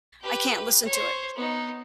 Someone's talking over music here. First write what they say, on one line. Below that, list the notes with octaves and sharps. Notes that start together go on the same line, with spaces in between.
I can't listen to it.
G4 B4
C5 C#5
B3 D#4